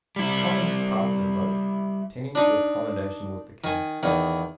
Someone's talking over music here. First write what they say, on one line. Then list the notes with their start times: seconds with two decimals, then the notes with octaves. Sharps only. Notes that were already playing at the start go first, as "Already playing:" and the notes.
The Commons passed a vote tending to accommodation with the King.
0.16 G3 E4
2.35 D4 D#4
3.64 D#3 G#5
4.03 E2 D#3